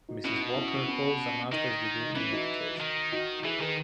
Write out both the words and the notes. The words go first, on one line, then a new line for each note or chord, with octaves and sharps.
Ms. Walker holds a master's degree in education.
D#4 F#4
B2 C#4 E4
D#4
C#4 E4
C#4
D#3 D#4
D#4
D#4
E3 C#4 E4
D#4 F#4
D#3
D#4 F#4
E3 E4 G#4
D#3 G#4 B4